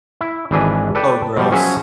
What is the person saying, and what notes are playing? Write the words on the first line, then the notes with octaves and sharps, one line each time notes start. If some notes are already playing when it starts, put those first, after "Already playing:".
Oh, gross.
E4
G#1 E3 D4 G#4 B4 D#5
A4 B4 D5 G5 A5
B2 F3 G3
F3 F#3 C#4 G#4 C#5 E5